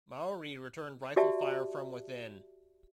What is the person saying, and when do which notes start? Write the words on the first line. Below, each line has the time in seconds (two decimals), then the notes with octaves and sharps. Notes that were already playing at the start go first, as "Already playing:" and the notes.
Maori returned rifle fire from within.
1.16 F#4 G4 D5 E5 A5